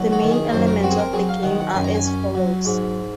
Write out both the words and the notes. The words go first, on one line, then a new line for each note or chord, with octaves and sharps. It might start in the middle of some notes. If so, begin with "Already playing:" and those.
The main elements of the game are as follows.
Already playing: D#2 F#3
F#4
D#3
G#4
F#2 C5
A#4
C4 F#4
G#4
A#4
F#3 G#4
F5
D#3 F#5
F#5
F#2 G#5
A#5
G#5
C#4
F#3
G#2